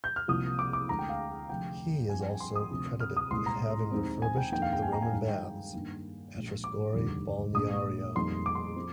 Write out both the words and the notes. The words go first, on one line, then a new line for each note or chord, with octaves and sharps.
He is also credited with having refurbished the Roman baths at Trescore Balneario.
G6
F6
C2 C3 F3 A#3 D#6
D6
D6
D2 D3 G#3 D4 A#5
G5
F5
F1 F2 D3 F3 G5
G2 F3 C4 G#5
G5
G#5
C6
D#6
D2 C3 F3 C4
F6
D#6
C2 A#2 G#3 C4 C6
A#5
D#2 D#3 G#3 C4
G#5
G5
F2 D#3 A#3 D4 G5
F5
G5
G#5
A#5
G#5
G2 D#3 G#3
G5
G5
G2 D#3 A#3 D4
A#1 A#2 F3 G#3
D6
F1 D#2 D3 G3
A#1 A#2 G#3 D4 D#6
F2 D#3 G3 A#3 C6
D6
C6
F3 C4